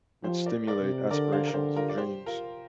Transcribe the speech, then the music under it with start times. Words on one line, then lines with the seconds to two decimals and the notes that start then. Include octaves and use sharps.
would stimulate aspirations and dreams
0.24 F3 G4 C5
0.46 A#4 D5
0.67 A#4 D5
0.82 C3
1.11 D3 A#4 D5
1.32 C5 F5
1.47 A#4
1.54 D3 G4 C5
1.76 F4 A#4
1.89 D5
1.98 G4 C5
2.26 F4 A#4